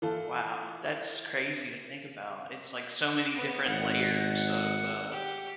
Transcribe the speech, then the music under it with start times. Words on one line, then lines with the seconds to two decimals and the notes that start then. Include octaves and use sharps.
Wow. That's crazy to think about. It's like so many different layers of, uh,
0.02 E3 F4 A4
3.35 B3
3.67 G#1 F#5
5.12 G4